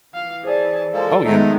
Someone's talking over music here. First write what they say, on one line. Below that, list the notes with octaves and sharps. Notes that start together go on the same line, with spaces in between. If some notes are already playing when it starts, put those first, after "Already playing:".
Oh, yeah.
E3 F5
G#4 C5 D5 A5
F3 G#3 A#3 A4
D#3 F#3 G#3 A3 B3 D#4